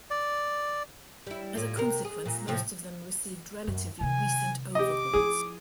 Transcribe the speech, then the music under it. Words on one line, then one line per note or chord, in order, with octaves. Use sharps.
As a consequence most of them received relatively recent overhauls.
D5
G3 E4
A2 F4
C3 A#4
G#4
A#2
A2 C3 F3
F#2
C3 D#3 G#5
G4 D#5 D6
F3 E4 G#4